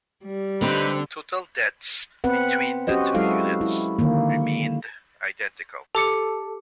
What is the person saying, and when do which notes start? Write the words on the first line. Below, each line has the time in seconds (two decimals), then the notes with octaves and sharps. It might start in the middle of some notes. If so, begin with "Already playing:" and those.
Total deaths between the two units remained identical.
0.24 G3
0.62 D3 C4 D#4 G4 B4
2.24 B3 C4 B4 F#5
2.87 C#4 F#4 G4 C5 D#5
3.14 F#3 G#3 E4 F#4 A4 F5
3.61 E4
3.99 D3 D#3 A#3
5.95 G4 A4 D6 C#7